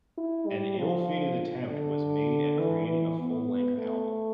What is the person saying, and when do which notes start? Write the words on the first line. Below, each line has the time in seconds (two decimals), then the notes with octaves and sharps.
An ill-fated attempt was made at creating a full-length album.
0.18 E4
0.47 G3
0.78 F3
1.68 D3
2.59 E3
2.88 E3
3.19 B3
3.78 A3